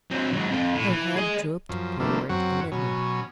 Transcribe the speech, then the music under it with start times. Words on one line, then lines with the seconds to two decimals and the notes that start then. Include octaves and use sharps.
Her head drooped forward a little.
0.10 F#3 C4
0.33 G#2 F#3
0.51 F2
0.74 A2
0.90 E3
1.17 G#4 D#5
1.69 F#2 F3
2.00 D3 F3 G3 A3 A#3
2.29 F#2 F#3 C4 F#5
2.72 B2 F#3 C#4